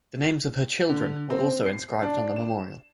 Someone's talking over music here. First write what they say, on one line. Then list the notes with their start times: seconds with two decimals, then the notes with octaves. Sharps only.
The names of her children were also inscribed on the memorial.
0.89 D3
1.30 C4
1.66 C7
2.03 D4
2.36 E7